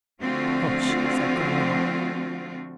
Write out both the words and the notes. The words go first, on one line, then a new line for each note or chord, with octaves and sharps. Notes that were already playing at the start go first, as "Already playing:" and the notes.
"Hush!" said grandma.
D3 F3 A3 C4 F4 F#4